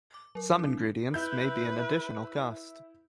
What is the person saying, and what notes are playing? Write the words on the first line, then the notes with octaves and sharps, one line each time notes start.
Some ingredients may be an additional cost.
D6
F#3 A#4
C4 D4 E4
E4 B4 G6